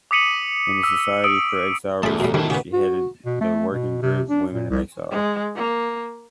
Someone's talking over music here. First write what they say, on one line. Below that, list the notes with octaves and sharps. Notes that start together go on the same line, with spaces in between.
In the "Society for Exile Research" she headed the working group "Women in Exile".
D6 D#6 B6 C#7 D#7 F#7
E6
D#6 E6 D7 F#7
E2 A3 F4 G#4 G#5 A5 B5
F#2 G3 A4 E5 A#5
B2 D#3 G3 E4 F#4 A5
C#3 G4 B4 F#5 G#5
F#4
B2
A3
B2
C3
D4
A#2
C2
G#3
A#3